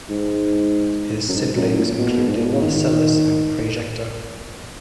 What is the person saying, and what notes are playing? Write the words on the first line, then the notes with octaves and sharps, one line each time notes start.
His siblings included Marcellus and Praejecta.
G#2
F#2
G#2
F#2
A#2
B2
G#2
A#2
B2
C#3
D#3